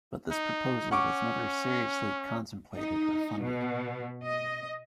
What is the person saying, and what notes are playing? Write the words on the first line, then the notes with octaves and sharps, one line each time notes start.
But this proposal was never seriously contemplated or funded.
D#4
C#4 F#5 C#6 D6
D#4
B2
D#5